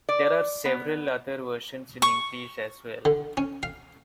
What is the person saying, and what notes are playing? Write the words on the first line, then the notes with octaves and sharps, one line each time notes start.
There are several other versions in English as well.
D5
B3
C#6
D3
C#4
F5